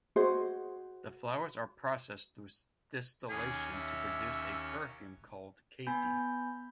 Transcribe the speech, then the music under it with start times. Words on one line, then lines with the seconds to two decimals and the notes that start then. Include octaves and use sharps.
The flowers are processed through distillation to produce a perfume called Cassie.
0.16 F#4 G#4 C5 D#5
3.29 D#2 C#4 G#4
3.74 E5
5.87 B3 G#5 B5 G6